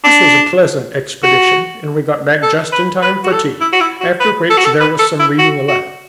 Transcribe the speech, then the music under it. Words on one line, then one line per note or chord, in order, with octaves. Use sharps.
This was a pleasant expedition, and we got back just in time for tea, after which there was some reading aloud.
D4
F#4
A4
B4
B4
F#4
A4
E4
F#4
E4
F#4
B4
A4
F#4
A4
B4
A4
E4
F#4
F#4